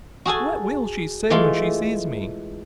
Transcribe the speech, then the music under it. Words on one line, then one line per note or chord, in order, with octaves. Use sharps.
What will she say when she sees me?
F#4 G#4 A4 G#5
E3 G#3 A3 F4